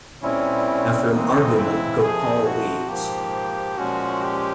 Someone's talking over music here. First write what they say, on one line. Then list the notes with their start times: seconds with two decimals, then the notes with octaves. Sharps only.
After an argument, Gopal leaves.
0.22 A#2 G3 C4 C#4 E4
0.67 C#4
1.11 E2 C#3 E3 G#3 C4 D#4
1.55 E4
2.00 F2 C3 F3 G#4
2.45 F#4
2.89 G#2 F3 A#3 G4
3.78 A#2 F3 G#3 C#4 F#4
4.23 G4